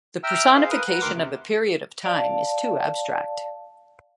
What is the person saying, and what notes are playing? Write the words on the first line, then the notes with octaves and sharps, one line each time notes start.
The personification of a period of time is too abstract.
E5 G5 A#5 E6 F6
G#4 C5 F5
A#4 B4 D#6
B4 F#5 A#5
D2 D#3 A#4 C6 D6
C3
D5 F5 A5